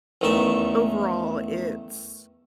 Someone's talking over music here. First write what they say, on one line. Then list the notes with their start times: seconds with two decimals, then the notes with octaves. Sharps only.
overall, it's
0.21 A1 E2 D#3 A3 A4 E5